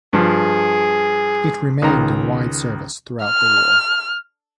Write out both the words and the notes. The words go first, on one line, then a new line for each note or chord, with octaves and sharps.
It remained in wide service throughout the war.
G2 F3 G#4
C#2 D#3 A#5
F6